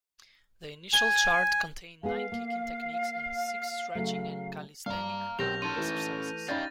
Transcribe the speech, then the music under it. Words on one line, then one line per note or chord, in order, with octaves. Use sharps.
The initial chart contained nine kicking techniques and six stretching and calisthenic exercises.
G#5
G#3 B3 G#4 F5
A#3
C#3 F#3 A3
G2 F5 A#5 F6
B1 C4 G4 A#4 G6 A#6 F7
C#4 D#4 A4 C6 D#7
E3 A3
C#4 D#4 G4 D5 D#5 F5 B5 A6